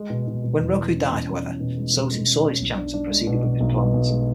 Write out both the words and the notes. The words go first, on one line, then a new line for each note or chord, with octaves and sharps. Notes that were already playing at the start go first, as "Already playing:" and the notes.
When Roku died, however, Sozin saw his chance and proceeded with his plans.
Already playing: G#3
B2
B2
B2
E2
G#3
C#4
E2
C#4
C#4
B2
G#3
B2
G#3
C#4
C#4
B1
D4
D4
G#3
B2
B2
B1
B2
B1
G#3